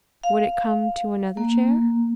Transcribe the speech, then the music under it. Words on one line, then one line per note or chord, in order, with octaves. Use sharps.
"Would it come to another chair?"
F5
A#3